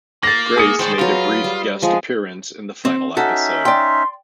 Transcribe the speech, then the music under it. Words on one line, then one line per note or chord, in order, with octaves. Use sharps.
Grace made a brief guest appearance in the final episode.
A#3 A6 A#6
G#4 D#6 C#7
A2 D#3 C5 D5
F#3 F4 B4
G3
F3 G#3
C4
C#4 D#4 F#4 A4 E5
D5 G5 C6